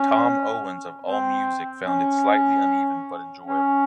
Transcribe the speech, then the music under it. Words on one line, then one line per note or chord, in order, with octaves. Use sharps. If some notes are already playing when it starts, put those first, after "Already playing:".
Thom Owens of Allmusic found it "slightly uneven but enjoyable".
Already playing: C#4
C4
C#4
C#4